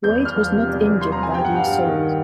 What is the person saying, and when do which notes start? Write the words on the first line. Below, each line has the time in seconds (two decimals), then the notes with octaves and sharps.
Wade was not injured by the assault.
0.03 E2 G6
0.20 E2
0.25 F6
0.36 F3
0.53 C3
0.68 E2
0.85 E2
1.01 F3 C6
1.12 A#5
1.17 C3
1.23 G#5
1.34 G2 G5
1.45 F#5
1.51 G2
1.56 F5
1.67 G3
1.83 D#3